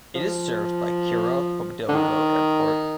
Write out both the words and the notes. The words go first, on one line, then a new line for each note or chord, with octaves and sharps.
It is served by Kirov Pobedilovo airport.
F3
D3
D#3